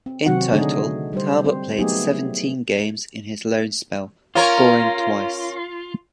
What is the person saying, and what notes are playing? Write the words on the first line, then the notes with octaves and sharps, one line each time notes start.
In total, Talbot played seventeen games in his loan spell, scoring twice.
C4
C3 D#3 F#3 C4 F#4 F#5
D3 A3 D4 D#4 G#4 D#5
G3 G4 C5
C4 C5
F#3 A3 B3 D#4 G4 G#4
C#4 F4 A#4 C#5